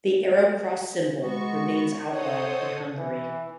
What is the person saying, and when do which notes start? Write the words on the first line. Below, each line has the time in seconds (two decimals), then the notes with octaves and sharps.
The arrow cross symbol remains outlawed in Hungary.
1.22 G#3 B3 F#4 C#6
2.11 A4 C5 C#5 D#5 F#5 D#6
2.96 E3